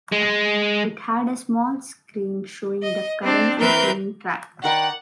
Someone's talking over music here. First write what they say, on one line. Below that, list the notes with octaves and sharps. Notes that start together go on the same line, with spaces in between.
It had a small screen showing the currently playing track.
G#3
D#5
C4 D4
E3 C4 A#4 B4 G6
D#3 A#4 D5 F#5 G5